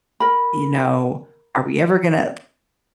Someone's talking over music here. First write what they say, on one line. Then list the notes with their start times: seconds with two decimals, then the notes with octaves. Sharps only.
you know, are we ever gonna"
0.20 A#4 B5